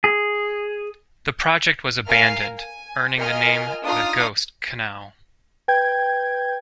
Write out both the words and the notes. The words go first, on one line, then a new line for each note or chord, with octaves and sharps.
The project was abandoned, earning it the name "The Ghost Canal".
G#4
A#4 F5 G#5 F6 C7
G#5
F4 A#4 D#5 G#5 F6
D4 D#4 F4 F5 D#6 F6
B4 G5 G6 G#6